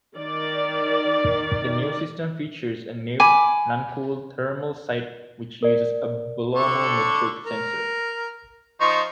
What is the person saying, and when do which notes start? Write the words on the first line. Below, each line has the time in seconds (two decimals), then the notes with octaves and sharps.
The new system features a new, non-cooled thermal sight which uses a bolometric sensor.
0.15 D#3 D5
3.20 G#5 B5 D6
5.63 A#4 D5
6.56 D3 A4 C#6
7.46 A#4
8.81 F3 D#4 C#6